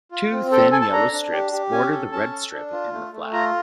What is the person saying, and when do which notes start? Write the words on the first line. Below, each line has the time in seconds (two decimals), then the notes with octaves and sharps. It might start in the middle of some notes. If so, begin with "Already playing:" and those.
Two thin yellow strips border the red strip in the flag.
0.12 F4
0.32 C4
0.51 A4 G5
0.72 A4 G#5
0.81 A5
0.92 D4 A#5
1.13 D4
1.32 G4
1.52 G4
1.72 C#4 G#5
1.92 A4
2.12 C#4 A5
2.32 A4
2.52 D4
2.72 F4
2.93 A3
3.13 A3
3.32 F4 A#5